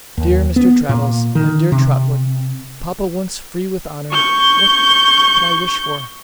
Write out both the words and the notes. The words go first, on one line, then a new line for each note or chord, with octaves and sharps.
Dear Mr. Traddles and dear Trotwood, papa once free with honour, what could I wish for!
D#2
B3
A#2
D#3
C3
C#6 G6